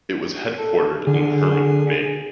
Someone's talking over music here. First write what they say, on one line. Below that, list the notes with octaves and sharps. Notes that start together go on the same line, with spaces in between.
It was headquartered in Hermon, Maine.
A4
D3 G#4